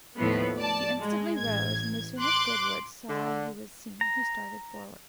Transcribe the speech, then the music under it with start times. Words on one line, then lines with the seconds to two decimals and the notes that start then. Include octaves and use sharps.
She instantly rose, and as soon as Goodwood saw he was seen he started forward.
0.17 D#2 A2 F3 A3 B3
0.57 D5 A5
1.00 G#3
1.38 A1 G#6
2.20 C6 D6 F#6
3.08 D3
4.01 A#5